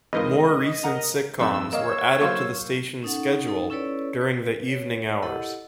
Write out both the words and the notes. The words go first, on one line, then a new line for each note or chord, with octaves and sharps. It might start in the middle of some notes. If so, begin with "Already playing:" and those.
More recent sitcoms were added to the station's schedule during the evening hours.
E2 G#2 C4 F4 A#4 B4 D#5
A#4 F#5 A#5
A#1 F2 D#4 G4 E6
A#3 C#5 D#5 F5
F#3 A#3 C5 F5 C#6
C#4 D#4 A4 F#5
D#4 A4
C#4 E4 A4 B4 C#5 D5
B4
C#5
E4 G4 A4 D#5 F#5